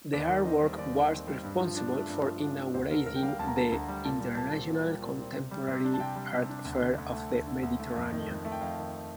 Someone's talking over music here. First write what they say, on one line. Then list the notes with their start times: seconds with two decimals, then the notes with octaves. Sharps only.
The artwork was responsible for inaugurating the "International Contemporary Art Fair of the Mediterranean".
0.13 D#2 D5
0.29 D#3
0.45 C4 D#5
0.63 G3
0.78 D#2 D5
0.95 D#3
1.10 C4
1.27 G3
1.44 G2
1.60 F3
1.76 D4
1.93 A3
2.09 G2
2.25 F3
2.41 D4
2.58 A3
2.74 D2 C5
2.91 D3 A#4
3.06 D2 A#4
3.16 G5
3.23 G3 F5
3.39 D2 A5
3.48 A#5
3.56 D3 A5
3.72 D2 A#5
3.88 G3
4.05 A#2 A5
4.20 G3
4.37 A#2 A5
4.53 C4
4.70 A#2
4.85 G3
5.02 A#2
5.19 C4
5.35 C3
5.51 G3
5.68 C3
5.84 D4
5.94 A5
6.00 C3 G5
6.16 G3
6.33 C3
6.49 D4
6.65 D2
6.82 D3
6.98 D2
7.14 A3
7.31 D2
7.47 D3
7.63 D2
7.80 A3
7.96 F2
8.12 D#3
8.28 F2
8.45 A3
8.52 G5
8.61 F2 F5
8.78 D#3